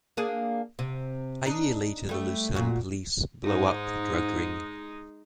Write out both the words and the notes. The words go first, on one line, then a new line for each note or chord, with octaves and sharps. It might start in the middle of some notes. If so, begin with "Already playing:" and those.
A year later the Lucerne police blow up the drug ring.
A#3 D4 G#4
C3
D4 D#4
G3 A3
A#2 F#4
G#2 G#3 D#4